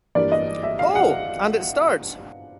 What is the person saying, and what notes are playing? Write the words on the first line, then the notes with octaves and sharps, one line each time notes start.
Oh! And it starts!
G2 E3 G3 A#3 D5
D#5
E5
F5
F#5